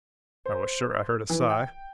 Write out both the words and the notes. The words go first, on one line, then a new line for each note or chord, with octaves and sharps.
I was sure I heard a sigh.
C5
E3
G5